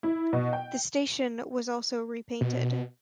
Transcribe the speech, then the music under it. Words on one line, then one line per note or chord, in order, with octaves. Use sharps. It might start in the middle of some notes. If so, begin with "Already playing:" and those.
The station was also repainted.
E4
B2
G5
B2